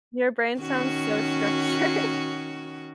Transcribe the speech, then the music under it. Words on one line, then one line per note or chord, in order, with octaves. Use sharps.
Your brain sounds so structured. I
D#3 C#4 F#4